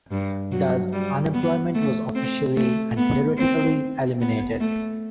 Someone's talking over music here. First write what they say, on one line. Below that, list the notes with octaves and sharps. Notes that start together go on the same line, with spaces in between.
Thus unemployment was officially and theoretically eliminated.
G2
F#3
G3
B3
A3
C4
A3
B3
C4
B3
A3